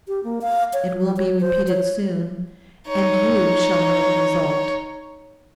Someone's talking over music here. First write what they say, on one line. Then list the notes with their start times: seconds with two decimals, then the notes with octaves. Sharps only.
It will be repeated soon, and you shall know the result.
0.08 G4
0.24 A#3
0.41 F5
0.73 C#5
1.01 G3
1.17 C#5
1.41 C5
1.68 C#5
2.88 D#4 C#5